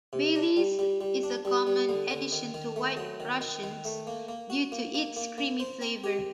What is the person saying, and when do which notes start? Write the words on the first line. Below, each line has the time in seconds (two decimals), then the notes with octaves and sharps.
Baileys is a common addition to White Russians, due to its creamy flavour.
0.13 C3
0.36 D4
0.57 G3
0.79 G3
1.01 G3
1.23 D4
1.45 G3
1.67 G3
1.89 D3
2.10 D3
2.32 D#3
2.54 D#3
2.76 A3
2.97 F#3
3.20 D#3
3.41 D#3
3.63 D#3
3.85 A3
4.07 A#3
4.29 A#3
4.50 F#4
4.72 A#3
4.95 A#3
5.17 A#3
5.38 A#3
5.60 C5
5.81 C4
6.04 G4